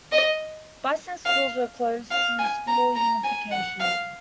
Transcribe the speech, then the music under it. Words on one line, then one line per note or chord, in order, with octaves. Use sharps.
Bison schools were closed through school unification.
D#5
F5
F5
G#5
A#5
A#5
G#5
F#5
F5